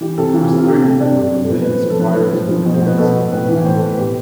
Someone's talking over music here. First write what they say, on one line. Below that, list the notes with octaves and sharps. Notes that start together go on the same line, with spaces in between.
The first three were released prior to the release of the anime.
E3 G4
C3 A4
E3 F4
C3
F4
C3 G4
C3 A4
C3 D4
C3
C3
A4
F3 B4
B4
F3 C5
F3
A4
F3 B4
F3
F3
F3
B2
C5
B2 B4
B2 A4
B2
A2 B4
E3
A2 C5
A4
A2 B4
B2 G4